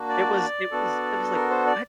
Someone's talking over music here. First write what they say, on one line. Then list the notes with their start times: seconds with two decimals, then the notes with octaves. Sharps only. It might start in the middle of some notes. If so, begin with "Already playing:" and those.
It was it was it was like, "What?
Already playing: A#3 D4 F#4
0.09 D5
0.71 B3 D4 F#4 A4
1.35 A#4
1.50 C5
1.67 D5